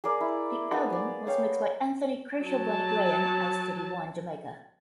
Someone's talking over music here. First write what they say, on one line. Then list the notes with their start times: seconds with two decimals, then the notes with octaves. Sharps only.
The album was mixed by Anthony "Crucial Bunny" Graham at Studio One, Jamaica.
0.04 G#4 A#4 D5 F5
0.21 E4
0.71 A#3 B3 D#4 G#4
0.92 D5
1.27 C#5 F5 G5
2.45 F#3 A5